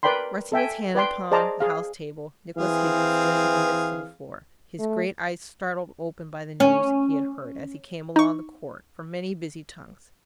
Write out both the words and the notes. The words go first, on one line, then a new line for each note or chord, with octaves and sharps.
Resting his hand upon the house-table, Nicholas Higgins stood in the midst of the floor; his great eyes startled open by the news he had heard, as he came along the court, from many busy tongues.
A#4 B4 D5 G5 B5 C6
A4 E5 G5 G#5
B4 D5 G5 C6
G#4 C5 D5 D#5 A5 A#5
G#4 F5
E3 C4 G#4 F5
A3
C#4
D#4 C#6